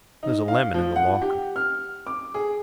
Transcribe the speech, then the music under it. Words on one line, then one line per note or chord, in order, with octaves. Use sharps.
There's a lemon in the locker.
D#4
F5
F3
F#5
G4
F6
D6
G#4